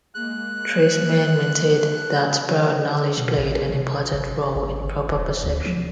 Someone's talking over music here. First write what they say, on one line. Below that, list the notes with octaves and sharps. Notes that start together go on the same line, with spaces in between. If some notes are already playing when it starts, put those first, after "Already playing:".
Treisman maintained that prior-knowledge played an important role in proper perception.
G#3 A#3 F#6
C#3 A5 G6
B2
A1
C3
G1
G#1
E1
D2
F3